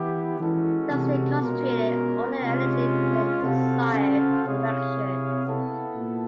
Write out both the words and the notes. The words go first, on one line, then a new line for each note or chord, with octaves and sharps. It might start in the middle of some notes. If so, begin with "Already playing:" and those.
Thus they concentrated all their energy in the desired direction.
Already playing: E3 B3 E4 G4
E3 G#3 C#4 F#4 A4
C3
B2 G#3 C#4 F4 A#4
C3 G#3 C#4 F4
C3 F#4 A4 C5 F5
C#3
C3 E4 G#4 C#5 F5
B3 E4 A4
A#2